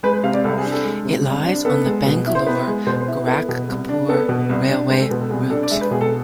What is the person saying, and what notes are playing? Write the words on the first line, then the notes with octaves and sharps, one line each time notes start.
It lies on the Bangalore - Gorakhpur railway route.
G#3 B4
B4
C3 F5
D5
C2 A4
G#4
D4
A4
G#3
C3
C2
D4
B3 A4
G#3
B2
E4
C5
B3 B4
G#3
B2 C5
C5
E4
B4
B3 A4
B2
C2
D4
B3 A4
B2
C2
D4
G#3 C5
A4
B2 B4
A4
C2 G#4
D4 A4
D5
G#3 E5
B4
B2 G#4
A4